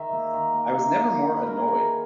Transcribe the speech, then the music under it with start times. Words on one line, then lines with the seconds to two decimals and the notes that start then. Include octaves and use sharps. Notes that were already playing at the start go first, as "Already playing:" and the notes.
I was never more annoyed!
Already playing: D#3 E5
0.13 A#3
0.34 D#3
0.54 A#3
0.75 A#3
0.96 A#3
1.16 A#3
1.37 D#3 B4
1.47 A#4
1.57 A#3 G#4
1.68 A#4
1.77 D#3